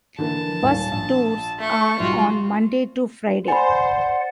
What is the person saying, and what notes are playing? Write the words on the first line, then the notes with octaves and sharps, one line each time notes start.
Bus tours are on Monday to Friday.
D3 E3 A#3 A5
D#1 D#2
A#1
A3 C#6
B1 G3 F4 F#4
C5 D5 F#5 G#5 B5